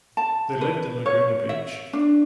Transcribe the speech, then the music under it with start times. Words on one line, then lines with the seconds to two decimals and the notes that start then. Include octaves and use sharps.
They lived in Laguna Beach.
0.17 A5
0.61 B4
1.06 C#5
1.49 E5
1.93 D4